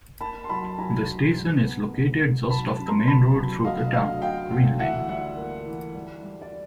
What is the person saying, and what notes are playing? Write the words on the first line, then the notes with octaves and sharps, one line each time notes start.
The station is located just off the main road through the town, Green Lane.
A#3 A5 B5
C6
F#3 A5 B5
F#3 G#5 A#5
F#3
G#2
B3
G#2
G#3
F#3 A5 B5
C#3
A#5 C6
B3 A5 B5
F#3
D2 D#5 F5
D2 D#5 F5
D2 F5 G5
D2
E3 E5 F#5
G3 E5 F#5
A#3
E3
G3
G3
D5